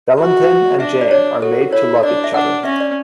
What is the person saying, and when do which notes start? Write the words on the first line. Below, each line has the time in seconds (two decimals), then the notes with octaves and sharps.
Valentin and Jane are made to love each other.
0.19 F#4
0.80 D4 E5
1.01 D5
1.11 D4 C#5
1.42 F#4 A4
1.73 E4 C#5
2.03 D4 D5
2.24 E5
2.34 D4 F#5
2.65 C#4 E5
2.80 D5